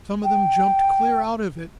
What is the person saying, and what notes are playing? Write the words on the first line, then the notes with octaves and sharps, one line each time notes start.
Some of them jumped clear out of it.
G5